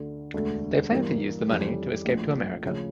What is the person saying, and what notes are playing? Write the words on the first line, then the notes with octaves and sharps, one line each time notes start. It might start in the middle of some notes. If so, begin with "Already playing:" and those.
They plan to use the money to escape to America.
Already playing: D2 D3 A3
E1 D2 D3 A3
G2 E3 A#3
F2 E3 G3 C#4 G4
A#1 A2 F3
D2 C#3 F3